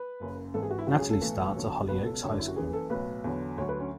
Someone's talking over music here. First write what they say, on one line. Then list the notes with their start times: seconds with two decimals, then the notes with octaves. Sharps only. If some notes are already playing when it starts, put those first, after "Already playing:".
Natalie starts at Hollyoaks High School.
Already playing: B4
0.20 F#1 F#2 C#3
0.54 G#1 G#2 E3 A4
0.63 G#4
0.71 F#4
0.79 E4
0.87 C#2 C#3 F#3 F#4
0.99 G#4
1.10 A4
1.21 B1 A2 E3
1.55 E2 D3 F#3
1.88 C#2 B2 F#3 B4
2.05 A4
2.22 F#1 F#2 D3 F#3 C#4
2.31 D4
2.40 E4
2.48 F#4
2.56 F#1 F#2 E3 G#4
2.73 A4
2.90 B1 A2 F#3 B4
3.24 E2 D3 F#3
3.58 D2 D3 F#3 C#5
3.69 B4
3.80 C#4